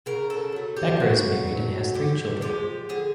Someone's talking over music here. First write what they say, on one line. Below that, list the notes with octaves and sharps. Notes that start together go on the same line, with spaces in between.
Becker is married and has three children.
C#3 A#4
A4
F#3 A3
G4
C#3 F#4
F#3 A3
D3 G4
F3 G#3 G4
D3 G#4